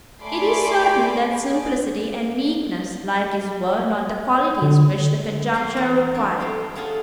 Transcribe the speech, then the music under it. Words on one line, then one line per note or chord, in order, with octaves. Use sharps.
It is certain that simplicity and meekness like his were not the qualities which the conjuncture required.
A3 D5 G#5 B5 C6 D6
G#4 D5
D3
F2 A#3 C4 C5 C6
E3 D#4 F#4 A#4
D4 C#5
G3 E4 A4 C6
C#4 F4 F#4 G#4 A4